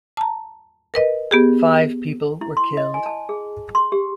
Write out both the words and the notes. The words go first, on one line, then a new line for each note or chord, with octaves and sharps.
Five people were killed.
A5 A#5
A#4 B4 D#5
B3 G4 G#4
E4
C6
D#5
G#5
A5
G#4
C6
G4